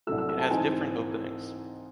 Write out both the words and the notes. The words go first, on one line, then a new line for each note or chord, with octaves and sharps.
It has different openings.
C2 C3 F#3 A3 E6
E6
E6
A5
G#2 E3 C4 D#4 G#5